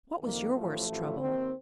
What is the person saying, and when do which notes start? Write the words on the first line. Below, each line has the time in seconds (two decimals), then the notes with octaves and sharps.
"What was your worst trouble?"
0.21 F2 C3 D#3 A#3
0.54 A1 A2 F3 A3
0.86 A1 A2 F3
1.19 D#2 D#3 C4